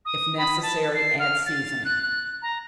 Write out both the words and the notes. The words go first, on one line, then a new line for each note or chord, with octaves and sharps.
If necessary, add seasoning.
D#6
B5
A5
C7
F6
A6
F#6
F#6
A#5